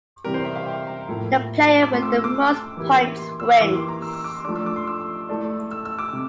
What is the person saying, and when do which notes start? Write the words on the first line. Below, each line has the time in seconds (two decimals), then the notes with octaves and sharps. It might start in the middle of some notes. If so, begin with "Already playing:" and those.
The player with the most points wins.
0.24 C3 E3 G3 C4 G4 A#4
0.34 C5
0.45 E5
0.55 F5
0.66 G5
0.87 A#5
1.08 A2 F3 A#3 E4 A4
1.83 D6
1.92 A3 C4 F4 A4 C6
2.03 E6
2.13 E6
2.24 D6
2.77 E3 A#3 E4 G4
3.19 C6
3.40 E6
3.60 E3 A#3 E4 G4 D6
3.75 C6
3.88 A#5
4.02 E6
4.13 E6
4.24 D6
4.34 C6
4.44 D4 D6
4.48 F3 A3
4.56 E6
4.66 D6
4.76 C6
4.87 E6
5.29 A3 E4 A4 D5
5.71 E6
5.85 E6
5.99 D6
6.13 C3